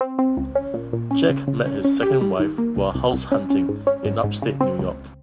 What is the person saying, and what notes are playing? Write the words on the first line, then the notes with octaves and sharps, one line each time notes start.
Jack met his second wife while house hunting in upstate New York.
C4
C4
C#2
C#4
A#2
A#2
C#4
C#3
C#3
C#4
C#4
G4
G3
D#3
A#3
C2
C2
C2
C#4
C#4
G#2
C#4
G#2
G#2
C#3
C4
C#2